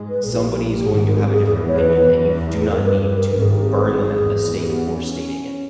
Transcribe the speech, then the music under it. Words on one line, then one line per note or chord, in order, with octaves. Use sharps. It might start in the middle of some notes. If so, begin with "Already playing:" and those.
somebody's going to have a different opinion, and you do not need to burn them at the stake for stating it.
Already playing: G#2 G#3
B4
A#1 A#2 G#4
E4
G4
E4
G4
G#1 G#2 G#4
G#4
A#4
G4
A#4
G#4
E2 G#4
C#5
B4
E2
G#4
G2 A#4
B4
B4
A#4
G#1 G#2 A#4
G#4
G4
G#4
E2
G4
B3
C#4